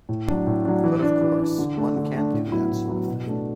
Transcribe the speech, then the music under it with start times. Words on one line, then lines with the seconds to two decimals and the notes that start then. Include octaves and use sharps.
But, of course, one can't do that sort of thing.
0.09 A2
0.28 F#3 D4
0.47 A2
0.65 F#3 D4
0.84 E3
1.02 D4
1.21 E3
1.40 D4
1.59 D3
1.77 A3 D4
1.96 D3
2.15 A3 D4
2.33 A2
2.52 F#3 B3 E4
2.71 A2
2.89 F#3 B3 E4
3.08 B2
3.27 A3 D4